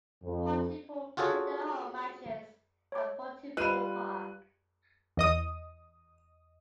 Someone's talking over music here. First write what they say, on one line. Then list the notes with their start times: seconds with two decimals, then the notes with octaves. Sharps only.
Pontypool play their home matches at Pontypool Park.
0.23 F2
1.17 F4 F#4 G#4 A4 C#5
2.92 C#5 D6
3.57 G3 F4 B4 D#5 B5 F#6 D#7
5.17 E2 D#5 D#6